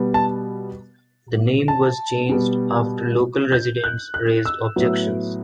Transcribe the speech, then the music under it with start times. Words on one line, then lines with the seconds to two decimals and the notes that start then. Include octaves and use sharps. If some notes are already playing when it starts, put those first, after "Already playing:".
The name was changed after local residents raised objections.
Already playing: B2 G3 B3
0.14 A5
1.68 A5
2.29 B2 G3 B3
3.52 G6
3.84 F#6
4.14 F#6
4.45 E6
4.76 A2 F#3 B3